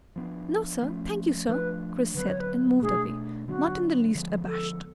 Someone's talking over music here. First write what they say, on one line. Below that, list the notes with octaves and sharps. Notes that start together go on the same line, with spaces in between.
"No sir, thank you sir," Chris said, and moved away, not in the least abashed.
F3 B3 D4
F3 A3 C#4
F3 A3 D4 B4
D3 F#3 B3 B4
C#5
B4
B2 A3 D4 G#4
D3 F#3 B3 D4 F#4
D3 F3 G#3 B3
A4